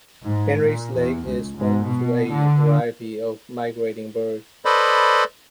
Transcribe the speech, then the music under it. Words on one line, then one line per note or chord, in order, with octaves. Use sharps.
Henrys Lake is home to a variety of migrating birds.
G#2
A#2
E2
C#2
G#2
B2
D3
A4 B4 C5 D5 D#5 B5